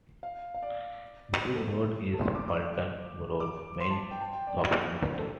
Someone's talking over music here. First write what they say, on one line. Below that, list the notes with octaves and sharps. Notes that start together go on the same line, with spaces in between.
Bridge Road is Oulton Broad's main shopping street.
F5
F5
D5
C5
A4
A4
A5
C6
D6
D6
D6
C6
A5
G5
A5
G5
D5
D5
D5
C5
A4